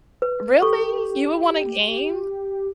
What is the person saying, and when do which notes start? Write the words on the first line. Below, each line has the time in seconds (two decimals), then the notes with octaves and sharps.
Really? You would wanna game?
0.22 B4
0.62 G4 A4 C#6